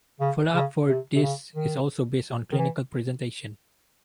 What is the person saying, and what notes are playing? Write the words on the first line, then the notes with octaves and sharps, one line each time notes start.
Follow-up for this is also based on clinical presentation.
C#3
C#3
C3
C3
C#3
D#3
D#3
E3